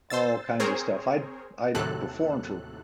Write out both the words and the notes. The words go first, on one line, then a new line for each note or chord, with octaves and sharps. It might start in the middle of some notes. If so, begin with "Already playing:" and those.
All kinds of stuff. I'd I'd performed for
C5 C6 E6 A6
C4 G#4 A#4 C5 C#5
D#2 A2 C3 F#3 A4 F#6